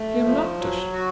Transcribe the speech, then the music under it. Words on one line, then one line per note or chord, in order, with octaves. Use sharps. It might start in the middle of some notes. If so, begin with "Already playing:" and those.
He unlocked it.
Already playing: A3
F3
F#3
F#4